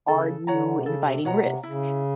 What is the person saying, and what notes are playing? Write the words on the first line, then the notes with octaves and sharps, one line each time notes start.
are you inviting risk?
C#3 A4
D3 C#5 F#5 A#5
C3
C#3 A4
C3
B2 C#5 F#5 A#5
C3
C#3 E4